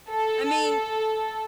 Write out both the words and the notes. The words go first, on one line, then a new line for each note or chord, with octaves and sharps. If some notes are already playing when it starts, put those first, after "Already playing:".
I mean,
A4